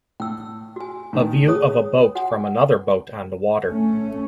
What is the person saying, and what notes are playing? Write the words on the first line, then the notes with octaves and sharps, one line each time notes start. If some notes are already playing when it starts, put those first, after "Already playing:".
A view of a boat from another boat on the water.
A2 G5 E6
F#4 G#5
A2 D#3
G#4 C#5 D#6
F#4 F#5 G#5
A3 C#4